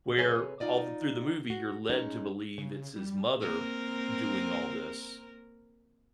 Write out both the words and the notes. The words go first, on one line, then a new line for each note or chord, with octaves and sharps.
Where all th through the movie, you're led to believe it's his mother doing all this
C3 G#4 A4 B4 C#5 G#5
D#4 F4 D5 D#5
F#4
G#3 C#4 D#4
C#3
G3
A#3 C4 A#4